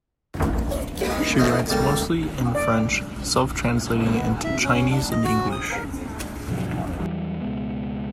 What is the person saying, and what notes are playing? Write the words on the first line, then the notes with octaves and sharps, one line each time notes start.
She writes mostly in French, self translating into Chinese and English.
G#3 B4
E2 B2 A3 C5 D#5
C#2 G3 A#3 A4
D5
B3
E5
C#4
D4
D#5
F#4
D#6
A#4
A2 C3 F3 F#3
F2
E2 E3 F#3 G3
C#2 B2 G#3 B3